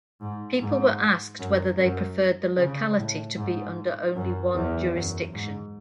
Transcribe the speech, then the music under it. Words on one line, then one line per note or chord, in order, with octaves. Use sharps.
People were asked whether they preferred the locality to be under only one jurisdiction.
G#2
G#2
F#2
F#2
C#3
A2
G#2
F#2
E2
F#2
G#2